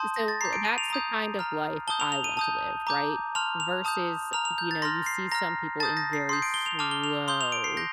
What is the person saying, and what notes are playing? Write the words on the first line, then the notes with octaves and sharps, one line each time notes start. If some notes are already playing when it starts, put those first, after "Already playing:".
So, that's the kind of life I want to live right? Versus, you know, you see some people in very slow
Already playing: A5 C6 D#6 G6
A#6
A6
A#5 D6 G6 C7
D7
D#7
F7
A#5 D#6 G6
A#5 F6
A5 D#6 G6 G7
F7
F7
D#7
A5 D#6 G6
A#5 D6 G6
A5 C6 F6 F7
F7
A5 D#6 G6
A#5 F6 F7
F7
G6
A6
C6 F6 A#6
C7
A#5 F6 A#6
A5 D#6 G6 A6
A#6
C7
C6 D#6 G6 C7
D7
G7
F7
A5 D6 F6 F7
G7
F7
C6 D#6 G6 G7
F7
D7
C7
G6 A#6